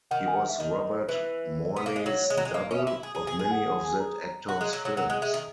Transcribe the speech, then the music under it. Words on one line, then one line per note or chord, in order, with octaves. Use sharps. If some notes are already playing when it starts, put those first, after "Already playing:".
He was Robert Morley's double on many of that actor's films.
D#3 F#5
G#5
F#5
E5
D#3 D#5
E3 B4
B3
A#3
G#3
F#3 C#5
G#3
F#3
G#3
A#3 D#5
C#4 D#5
E5
E4
G#4
G#4
G#4
G#4
G#5
F#5
F#5
G#5
A#5
F#4
G#3
F#3
F#3
F#3 F#5
G#3
G#3 E5
D#3